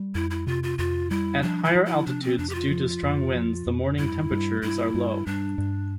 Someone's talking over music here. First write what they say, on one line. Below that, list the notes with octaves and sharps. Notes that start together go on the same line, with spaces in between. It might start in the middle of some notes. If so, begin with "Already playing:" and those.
At higher altitudes due to strong winds the morning temperatures are low.
Already playing: G3
F2 E4
E4
C3 F4
F4
F2 F4
G3 E4
F3 D4
E4
F3
E4
C3 D4
C4
F2 D4
G4
F4
F3
F2
F3
F2
G2 E4
G2
G2 E4
G2
G2 D4
G2